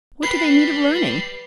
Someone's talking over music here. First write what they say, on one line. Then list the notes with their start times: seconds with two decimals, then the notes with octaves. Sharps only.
What do they need of learning?
0.23 G3 B4 C7